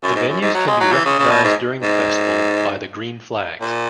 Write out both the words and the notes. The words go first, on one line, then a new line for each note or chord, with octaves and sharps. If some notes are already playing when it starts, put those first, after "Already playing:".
The venues can be recognised during the festival by the green flags.
F#2
G#2
F#2
G#2
F#3
G#3
F#3
E3
C#3
C#3
B2
G#2
G#2
A#2